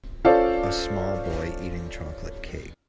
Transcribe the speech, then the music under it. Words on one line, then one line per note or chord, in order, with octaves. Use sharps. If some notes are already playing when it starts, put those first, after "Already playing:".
A small boy eating chocolate cake.
C#4 F4 A4 C5 D5 F5